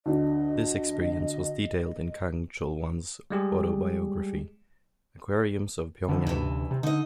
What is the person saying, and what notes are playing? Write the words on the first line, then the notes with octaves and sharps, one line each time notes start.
This experience was detailed in Kang Chol-Hwan's autobiography "Aquariums of Pyongyang".
D2 D3 D#5
G3 G#3 G4 G#4
D3 E3 F3
D2 G2 C3 E3
C3
D3 D#4 D#5